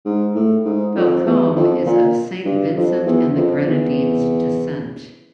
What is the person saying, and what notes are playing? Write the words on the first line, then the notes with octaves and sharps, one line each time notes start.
Balcombe is of Saint Vincent and the Grenadines descent.
G#2
A2
G#2
F2
E2
F2
A#2
G2
F2
E2
F2
E2